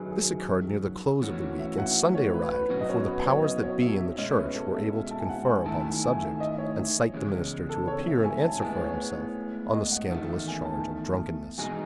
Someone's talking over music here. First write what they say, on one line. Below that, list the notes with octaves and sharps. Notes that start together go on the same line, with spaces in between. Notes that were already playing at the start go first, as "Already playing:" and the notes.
This occurred near the close of the week, and Sunday arrived before the powers that be in the church were able to confer upon the subject, and cite the minister to appear and answer for himself on the scandalous charge of drunkenness.
Already playing: F#2 D#3 F#3 G#4 B4
G#4
E3 A3 C#4 F#4
E5
F#5
C#5
B4
B4
B2 F#3 C#4 F#4
D#5
C#5
B4
C#5
D#5
C#5
E5
E5
B2 G#3 C#4 D#5
C#5
B4
A4
E5
E5
A5
G#5
F#5
G#5
D#3 A3 E4 A5
G#5
G#5
E5
D#5
C#5
E2 C#3 G#3 C#4
A4
C#5
E5
G#5
A5
A2 G#3 B3 G#5
C#5
D#5
F#5
E2 D#3 A3 E5
E5
G#5
A5
E2 B2 G#3 D#4 G#5